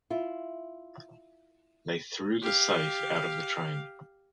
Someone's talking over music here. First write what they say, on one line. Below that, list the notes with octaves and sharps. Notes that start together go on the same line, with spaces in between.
They threw the safe out of the train.
E4 F4
G4 F5